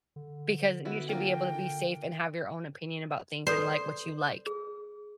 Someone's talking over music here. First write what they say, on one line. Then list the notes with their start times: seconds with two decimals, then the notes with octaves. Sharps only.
Because you should be able to be safe and have your own opinion about things and like what you like,
0.16 D3
0.85 B3 E4 F#4
1.09 A#3 D4 F4 G5
3.47 A4 B4 C5 D5 C6
4.47 G#4